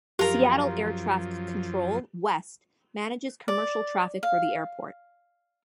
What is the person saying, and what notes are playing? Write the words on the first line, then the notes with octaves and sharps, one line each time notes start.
Seattle air traffic control, west, manages commercial traffic for the airport.
F#2 F3 F4 G4 A#4
D5
F5